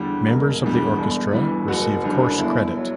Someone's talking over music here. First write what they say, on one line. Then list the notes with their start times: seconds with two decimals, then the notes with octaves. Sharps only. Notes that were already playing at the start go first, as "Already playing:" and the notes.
Members of the orchestra receive course credit.
Already playing: E2 D3 G3 G4
0.28 E1 A#4
0.63 E2 D3 G3
0.98 G1
1.33 G2 E3 G3
1.68 F#1 F#4
2.03 F#2 D3 G3
2.38 G1 E4
2.77 F#3